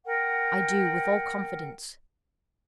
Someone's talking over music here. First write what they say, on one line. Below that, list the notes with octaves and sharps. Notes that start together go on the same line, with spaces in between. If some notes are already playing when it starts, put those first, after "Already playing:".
"I do, with all confidence."
A#4 F#5 G5